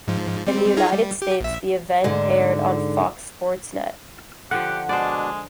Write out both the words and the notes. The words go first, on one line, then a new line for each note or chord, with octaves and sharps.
In the United States the event aired on Fox Sports Net.
G#2 F3
G3 C4
D#4 F4 G#4
G3
G4
A#1 E5
G#2 D3
D3 F3 G4 F#5
B2 G#3 D4 C5 D5